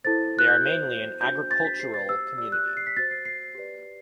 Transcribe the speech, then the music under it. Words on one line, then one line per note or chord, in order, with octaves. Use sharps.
They are mainly an agricultural community.
E4 A4 C5 A6
F#6
G6
F#4 C5
D4 F#4 C5 G6
A6
B6
G4 C5 C7
A6
E6
G4 D5 E6
F#6
A6
C7
B6
F#4 C5 A6
C7
C7
G4 B4 D5